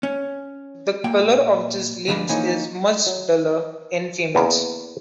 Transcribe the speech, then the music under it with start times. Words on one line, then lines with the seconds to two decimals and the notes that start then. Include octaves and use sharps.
The colour of these limbs is much duller in females.
0.03 C#4
1.04 A#2 A#3 G5
2.08 D2 G2 F3 D4 B5
2.29 E3 F3 A#3 C#4 D#4
3.07 F#3
4.35 E2 A#3 B3